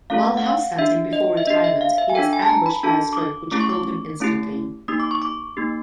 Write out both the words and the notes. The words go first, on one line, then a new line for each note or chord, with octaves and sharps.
While house-hunting before retirement he was 'ambushed by a stroke which killed him instantly'.
A3 C#4 F4 A4 F5
F#5
F5
D4 G4 E5
D#5
E5
D4 G4 D#5
E5
F5
E5
G#5
D4 F#4 A4 G5
G#5
A5
A#5
B5
D4 F#4 A4 A5
D6
D#6
A3 C#4 E4 G4 D6
C#6
D6
A3 C#4 E4 G4
A#3 D#4 G4 D#6
D6
C#6
D6
A#3 D#4 G4